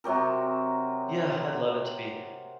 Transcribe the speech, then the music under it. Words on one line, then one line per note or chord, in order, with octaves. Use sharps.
Yeah, I'd love it to be
C3 F#3 G4 A#4